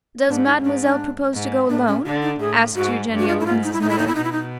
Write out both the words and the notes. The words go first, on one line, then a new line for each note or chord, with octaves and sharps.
"Does mademoiselle propose to go alone?" asked Eugenio of Mrs. Miller.
C#4
G#2 D4
D#4
G#2 D4
D4
G#2
A2 D4
C#4
D3 D4
D#4
A2 G#4
G#2 F#4
G2
F#4
F4
E4
G#2 F4
D#4
E4
A2 D#4
E4
D#4
E4
B2 D#4
E4
D#4